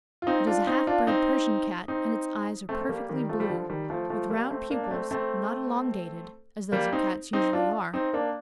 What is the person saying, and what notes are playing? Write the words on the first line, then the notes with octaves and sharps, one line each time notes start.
It is a half-bred Persian Cat, and its eyes are perfectly blue, with round pupils, not elongated, as those of Cats usually are.
F4
C4 D#4
D4 F4
C4 D#4
D4 F4
C4 D#4
C4 D#4
A3 C4
A3
G3 A#3
D#3 G3
F3 A3
G3
D3 F3
D#3 G3
F3 A3
F3 A3
G3 A#3
A3 C4
A#3 D4
D4
A3 C4
A3 C4
G3 A#3
C4 D#4
C4 D#4
D4 F4
C4 D#4
A#3 D4